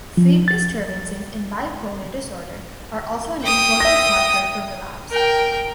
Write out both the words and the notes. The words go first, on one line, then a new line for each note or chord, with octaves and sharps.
Sleep disturbances in bipolar disorder are also an important marker for relapse.
F3
A6
G5 D#6
E5 A#6
A#4 G5